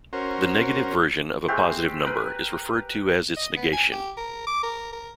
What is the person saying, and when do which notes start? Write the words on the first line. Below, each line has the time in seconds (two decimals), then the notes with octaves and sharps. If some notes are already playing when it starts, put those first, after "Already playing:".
The negative version of a positive number is referred to as its negation.
0.13 C#4 F#4 A#4 C5
1.48 G#3 A3 C4 G4
2.05 A#4 B4
3.37 D#5
3.56 B3
3.73 G#5
3.92 G4
4.17 A#4
4.47 D6
4.63 A#4
4.92 A#4